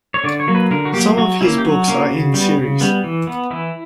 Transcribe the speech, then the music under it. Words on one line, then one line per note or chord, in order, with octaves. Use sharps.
Some of his books are in series.
C#5
D3 D5
C#5
F#3 A#3
B4
D3 A#4
F#4
F#3 A#3 G4
F#3 F#4
A#3 C#4 E4
G4
F#3 F#4
A#3 C#4
C#3
G3 B3
C#3
G3 B3
E3
B3
E3 E4